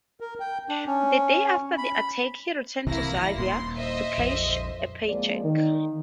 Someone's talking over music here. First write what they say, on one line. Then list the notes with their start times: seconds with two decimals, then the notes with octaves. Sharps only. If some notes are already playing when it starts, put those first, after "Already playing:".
The day after the attack, he returned to Xavier to cash a paycheck.
0.20 A#4
0.40 G5
0.69 D4
0.87 C#4
1.78 B5
1.93 B5
2.86 C2 C3 E3 A#3 E4 A#6
3.36 D#1 A#2 C6
3.76 C5 D#5 E5
4.18 A#1 F2
5.08 F3 G#3 A#3 C4 D5
5.44 D#3